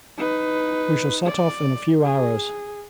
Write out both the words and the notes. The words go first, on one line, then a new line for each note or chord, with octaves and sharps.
"We shall set off in a few hours."
D#4 B4
D5
G#4